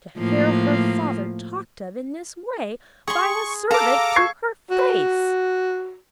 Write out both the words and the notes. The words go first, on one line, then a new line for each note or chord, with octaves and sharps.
To hear her father talked of in this way by a servant to her face!
A2 F3 A#3
G#4 C6 C#6
A4 F5 A#5 D6
C#6 G#6 C7
F#4